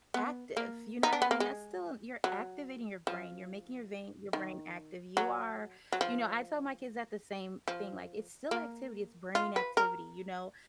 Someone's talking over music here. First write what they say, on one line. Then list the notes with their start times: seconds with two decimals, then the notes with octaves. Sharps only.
active. You know what I mean? That's still you're activating your brain; you're making your vein your brain active. You are you know, I tell my kids that the same thing, like, "It's still activity; it's brain activity, you know?"
0.14 B3
0.57 A#3
1.03 D#4
1.13 D4
1.22 B3
1.31 A#3
1.40 G#3
2.24 F#3
3.07 F3
4.33 D#3
5.17 F#3
5.92 F#3
6.01 F3
7.68 F3
8.51 A#3
9.35 F4
9.56 B4
9.77 A#4